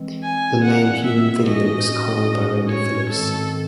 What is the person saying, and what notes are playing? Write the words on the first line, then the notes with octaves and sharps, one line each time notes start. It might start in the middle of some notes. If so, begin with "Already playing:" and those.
The name "human video" was coined by Randy Phillips.
Already playing: E3 G#3 C4
G#5
F#5
E5
A2 G#3 C#4 F#4 D#5
C#5
G#2 D#3 G#3 C4 A4